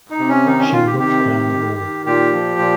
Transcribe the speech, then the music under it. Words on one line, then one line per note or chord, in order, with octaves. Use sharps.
She looked down the road.
D#4
C3
C#4
D#3 D#4
C#4
D#3 F4
G4
C3 G4
D#3
D#3
D#3
A#2 G4
F3
A#2